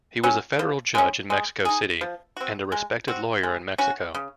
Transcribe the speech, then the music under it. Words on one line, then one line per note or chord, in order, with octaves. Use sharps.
He was a federal judge in Mexico City, and a respected lawyer in Mexico.
F#3 C#4
F3
G#3 C#4
G#3
D#4 G#4
F3
C4 F#4
G#3
C4 F#4
G#3
C#4 F#4
C#3